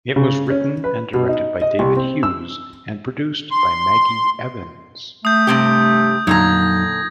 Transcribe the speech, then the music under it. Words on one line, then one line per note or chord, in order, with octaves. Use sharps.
It was written and directed by David Hughes and produced by Maggie Evans.
C#3
C#4
B4
B2
D#4
D#5
C2
C4
E6
C6
A3 D#6 G6
G2 C3 G4
F2 A#2 D3 F#3 D#4 A#5 G#6 A#6